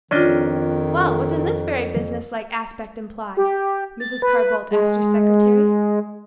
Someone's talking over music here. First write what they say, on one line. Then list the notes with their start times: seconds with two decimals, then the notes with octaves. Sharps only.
"Well, what does this very businesslike aspect imply?" Mrs. Carr-Boldt asked her secretary.
0.11 F2 D#3 C#4 D4 F4 D5 D#5
3.37 G4
4.00 A6
4.22 B4
4.71 G#3